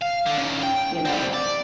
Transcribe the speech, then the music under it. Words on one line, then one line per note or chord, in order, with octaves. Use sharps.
You know?
F5
D3
D#3 C#4
G5
G3 C4
D5